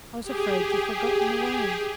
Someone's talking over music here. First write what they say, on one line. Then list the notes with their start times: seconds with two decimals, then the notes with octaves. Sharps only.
I was afraid you'd forgotten the way.'
0.22 G4 G#4